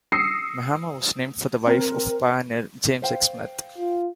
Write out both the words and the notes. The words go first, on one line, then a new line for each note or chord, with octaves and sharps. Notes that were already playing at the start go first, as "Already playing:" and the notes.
Mehama was named for the wife of pioneer James X. Smith.
D#6 E6 A#6 C7 C#7
C4 A#4
C5 F5 G5
F4